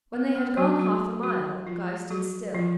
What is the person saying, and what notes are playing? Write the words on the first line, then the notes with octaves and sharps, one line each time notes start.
When they had gone half a mile, Guy stood still.
B3
B3
F#3 F#4
F#3 F#4
F#3 F#4
F3 F4
F#3 F#4
F3 F4